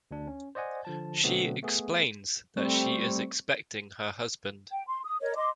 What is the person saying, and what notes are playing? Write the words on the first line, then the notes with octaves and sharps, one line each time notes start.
She explains that she is expecting her husband.
D2 D4
C#4
C5 D5 D#5 F#5 G#5
D3 F3 A5
B2 D3 F#3 A3 B3 C4
A3 B3 G#4
G3 A3 C4 C#6
G5
C6
D#6
A#4 C#5 D#5
D#5 C6 D6